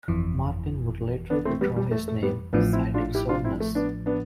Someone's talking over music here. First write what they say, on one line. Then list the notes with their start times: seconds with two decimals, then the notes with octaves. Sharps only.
Martin would later withdraw his name, citing soreness.
0.08 G1 F2 E3
1.30 B3 D4
1.45 A3 C4
1.61 G3 B3
1.77 G3
1.91 A3
2.08 A3
2.23 G3 B3
2.53 A1 A2 F3 B3 D4
2.73 C4 E4
2.94 D4 F4
3.14 E4 G4
3.29 D4 F4
3.44 C4 E4
3.60 A3
3.75 B3 D4
4.06 B3 D4